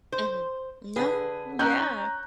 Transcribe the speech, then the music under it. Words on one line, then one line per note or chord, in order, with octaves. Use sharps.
Mhm. No. Yeah.
C5
D3 G#4 B4
C#4 A#5 F#6 G6